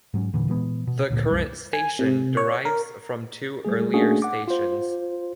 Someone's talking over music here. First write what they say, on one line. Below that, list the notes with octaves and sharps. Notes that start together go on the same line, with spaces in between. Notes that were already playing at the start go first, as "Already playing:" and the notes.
The current station derives from two earlier stations.
G#2 F#3 C#4
E2 A#2 D3 E3
A#2 E3 G#3 B3
B2
D2 A#2
C2 F#2 G3
G#5
C3
C#5
A#4
G3 A3 G#4
A3 A#3 C#4 D4 F#4 G#4
F#5 D6
F4 C5